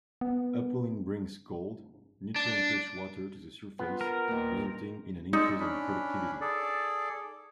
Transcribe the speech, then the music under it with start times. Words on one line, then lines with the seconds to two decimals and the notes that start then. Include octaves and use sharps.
Upwelling brings cold, nutrient-rich water to the surface resulting in an increase in productivity.
0.21 B3
2.36 D4
3.79 B3 F4
4.01 A#4
4.28 D#2 A#2
5.33 G#3 D#4 D5 E6
5.60 C#4 D4 B5
6.41 G#4 A4 D5